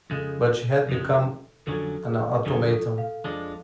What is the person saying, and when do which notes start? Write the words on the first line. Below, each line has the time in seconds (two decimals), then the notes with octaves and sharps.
But she had become an automaton.
0.10 F2 C#3 G#3 A4
0.89 F2 C#3 G#3
1.67 F2 D3 F#3 C#4 A4
2.06 G#4
2.46 F2 D3 F#3 C#4 A4
2.72 A4
2.98 F5
3.24 F2 F3 G#3 D4